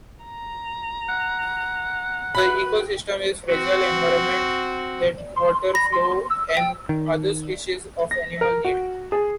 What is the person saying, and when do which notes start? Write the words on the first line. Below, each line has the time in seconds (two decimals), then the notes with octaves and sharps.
The ecosystem is a fragile environment that waterfowl and other species of animals need.
0.24 A#5
1.09 F#5
2.35 F#4 B4 B5 F#6
3.49 C4 F#4
5.75 A#6
6.57 G5
6.89 D#3
8.11 A#6
8.41 A#4
8.65 F#4
9.12 G#4